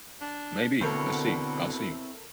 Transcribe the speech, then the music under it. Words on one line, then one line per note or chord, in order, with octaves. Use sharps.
Maybe, let's see, I'll see,
D4
B2 D3 C4 E4 A4 A#4 C#5